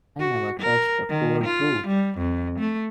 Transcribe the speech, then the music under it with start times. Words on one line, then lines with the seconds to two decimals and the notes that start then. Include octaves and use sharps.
I never touched the poor brute.
0.20 F#4
0.60 A#4
1.09 D#3
1.44 F4
1.88 G3
2.18 F2
2.59 A3